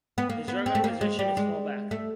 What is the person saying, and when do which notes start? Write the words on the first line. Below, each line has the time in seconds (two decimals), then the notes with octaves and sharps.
His regular position is fullback.
0.18 B3
0.30 A#3
0.48 B3
0.66 C4
0.75 A3
0.84 A#3
1.01 G#3
1.19 G3
1.37 G#3
1.91 A3